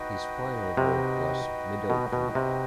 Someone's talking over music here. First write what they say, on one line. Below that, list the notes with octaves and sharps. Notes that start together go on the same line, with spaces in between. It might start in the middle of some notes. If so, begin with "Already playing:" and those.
His final work was "Meadow Brook".
Already playing: D#4 F#4 B4 D#5 G5
C3
B2
B2
C3